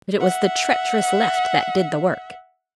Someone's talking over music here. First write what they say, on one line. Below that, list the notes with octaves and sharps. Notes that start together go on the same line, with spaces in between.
But it was the treacherous left that did the work.
E5 F#5